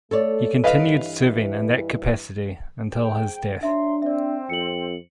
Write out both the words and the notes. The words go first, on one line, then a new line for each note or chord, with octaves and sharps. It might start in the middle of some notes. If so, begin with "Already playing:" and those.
He continued serving in that capacity until his death.
A3 A4 C#5 D5
G2 E3 B4 D#5 F5
G#2 G5
F#3 D4 E5 A#5 C6
C4 D5 E5
F2 C#7 F#7